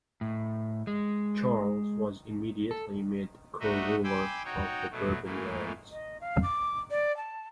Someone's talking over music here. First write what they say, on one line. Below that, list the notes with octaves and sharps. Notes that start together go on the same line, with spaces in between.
Charles was immediately made co-ruler of the Bourbon lands.
A2
G#3
A4
A3 D4 D#4 F#4 D#5 E5
G5 G#5 B5 C6 D6 E6
D#4 F#4 C#5 G5
B2 F#3 A3
G#2 E3 A3 A#3
D#5
F5
D6
D5
A5